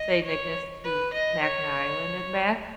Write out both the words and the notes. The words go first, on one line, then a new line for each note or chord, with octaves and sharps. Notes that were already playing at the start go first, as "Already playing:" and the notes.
Saint Ignace to Mackinac Island and back,
Already playing: D#5
C#5
B4
D#5
C#5